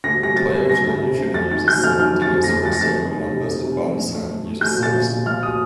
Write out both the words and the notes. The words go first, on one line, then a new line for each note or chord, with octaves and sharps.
Toyota usually uses seven digits for its serial numbers while Nissan uses six.
D2 A#6
G3 A#6
C3 A6
G3
G3 A#6
D2
C3
D2
F2 A6
D#3 A6
D#3 G6
F2 F6
D#3 F6
D#3
A6
F2
A#6
F2
F1 A6
A#6
F2 A6
F1
F1
C3
F1
C3
F2
A#1
A3
A3
A3
A3 G6
A#2 A6
A#1
A#2
F3 F6
D#6